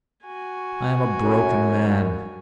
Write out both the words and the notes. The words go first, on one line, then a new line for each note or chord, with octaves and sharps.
I am a broken man.
F#4 G#5
F#2